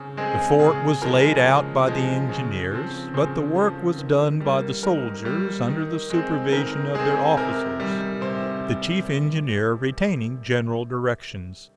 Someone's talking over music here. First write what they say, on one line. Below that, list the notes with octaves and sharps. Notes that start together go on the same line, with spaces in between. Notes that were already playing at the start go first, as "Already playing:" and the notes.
The fort was laid out by the engineers, but the work was done by the soldiers under the supervision of their officers, the chief engineer retaining general directions.
Already playing: C#3 C4
G#3 C4 G#4
C#3 G#4
F3 G#3 A#4
C#3
F3 G#3
C#3
F3 C4
C#3 C5
F3 C4
D#3
G3 A#3
D#3 A#4
G3 A#3
D#3
G#3 C4
D#3 A#4
G#3 C4 G#4
C3 A#4
D#3 G3
C3 C5